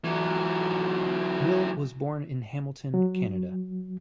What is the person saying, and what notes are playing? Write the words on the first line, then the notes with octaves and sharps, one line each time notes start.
Will was born in Hamilton, Canada.
E3 F#3
F#3